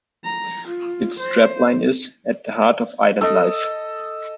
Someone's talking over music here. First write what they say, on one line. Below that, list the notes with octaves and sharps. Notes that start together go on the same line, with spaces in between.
Its strapline is: "At the heart of island life".
A#5
F4
C5
A4 D#5